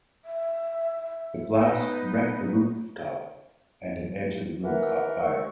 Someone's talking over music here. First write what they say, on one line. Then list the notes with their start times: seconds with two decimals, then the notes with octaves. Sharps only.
The blast wrecked the rooftop and an edge of the room caught fire.
0.25 E5
1.57 B3 D#4 B4
4.63 D#2 E3 A#4 F#5
5.21 D#2 D#3 G#3 C#6 E6